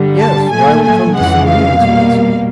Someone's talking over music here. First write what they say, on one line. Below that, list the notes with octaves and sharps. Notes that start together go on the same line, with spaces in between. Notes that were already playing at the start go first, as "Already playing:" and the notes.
"Yes, or I will come to see you, Miss Mason."
Already playing: G2 D3 G3
A5
A#2 F#3 A3 G#5
G#5
F2 C#3 E3 G#3 F#5
F5
B2 G3 A#3